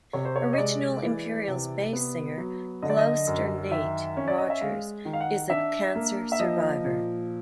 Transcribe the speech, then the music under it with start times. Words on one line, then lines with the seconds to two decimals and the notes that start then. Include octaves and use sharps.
Original Imperials bass singer Glouster "Nate" Rogers is a cancer survivor.
0.13 C3 C#5
0.25 C5
0.36 C#5
0.53 D#5
0.58 G#3 D5
1.03 E3
1.48 C3
1.93 B3
2.37 F#3
2.82 D3 D#5
2.90 D5
2.99 D#5
3.27 F#2
3.71 D#3 E5
4.17 C#4
4.28 D5
4.38 D#5
4.50 E5
4.61 G#3 F5
5.05 D#3
5.13 F5
5.21 F#5
5.50 D4 E5
5.95 A#3
6.32 E5
6.40 F3 D#5
6.85 A#2